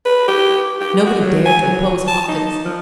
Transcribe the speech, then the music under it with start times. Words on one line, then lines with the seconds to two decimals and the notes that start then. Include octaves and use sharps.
Nobody dared to oppose Hopkins.
0.05 B4
0.28 G4
0.80 G4
1.06 F#4
1.21 F#3
1.46 G#5
1.62 F#3
2.08 A5
2.28 D#4
2.65 F3